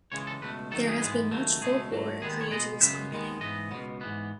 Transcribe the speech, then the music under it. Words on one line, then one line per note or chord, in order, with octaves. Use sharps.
There has been much folklore created to explain the name.
C#2 C#3 E3 G#3 C#5
A4
C#2 B2 A3 B4
F#2 D#3 F#3 A3 A4
G#4
G#2 E3 G#3 B3
D#2 C#3 F#3 A3
C#2 B2 A3 G#4
G#2 F#3 A3
D#2 D#3 G#3 B3 G#4
C#5
B2 G#3 B3 D#5
F#2 C#3 G#3 B3 E5
D#2 D#3 G#3 B3
G#2 E3 B3 D#5
C#2 B2 F#3 B3
G#2 E3 B3